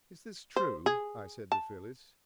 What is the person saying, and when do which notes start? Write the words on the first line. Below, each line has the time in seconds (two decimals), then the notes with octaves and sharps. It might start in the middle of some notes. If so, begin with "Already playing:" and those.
"Is this true?" I said to Phyllis.
0.56 C5
0.86 G#4
1.52 A5